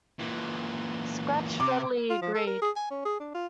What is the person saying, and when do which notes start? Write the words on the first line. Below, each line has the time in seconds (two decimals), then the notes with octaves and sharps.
"Scratch" readily agreed.
0.19 A#2 E3
1.60 C3 D6
2.10 F4
2.22 F3
2.34 A4
2.47 A#4
2.62 G#4
2.76 G#5
2.91 C#4
3.05 G#4
3.20 D4
3.35 F4